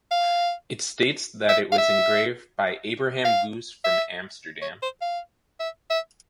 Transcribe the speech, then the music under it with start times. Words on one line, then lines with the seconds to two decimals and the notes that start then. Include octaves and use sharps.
It states that it was engraved by Abraham Goos from Amsterdam.
0.11 F5
1.49 E5
1.72 F5
1.78 E5
3.25 F5
3.84 E5
4.62 C#5
4.82 C5
5.01 F5
5.60 E5
5.90 E5